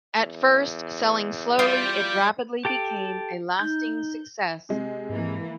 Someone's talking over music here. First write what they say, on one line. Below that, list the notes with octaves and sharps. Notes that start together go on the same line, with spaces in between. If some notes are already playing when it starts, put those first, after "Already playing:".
At first selling slowly, it rapidly became a lasting success.
E2
G3 F4 G4
G4 A4 G5
D#4 G6
C3 G#3
G#2 E3 A#3